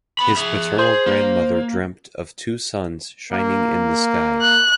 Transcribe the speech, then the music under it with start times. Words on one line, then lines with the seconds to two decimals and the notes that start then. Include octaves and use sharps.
His paternal grandmother dreamt of two suns shining in the sky.
0.19 B3 B5
0.36 G#4 E5
0.79 G#4 C5
1.06 A#3
3.32 A#3
4.42 F#6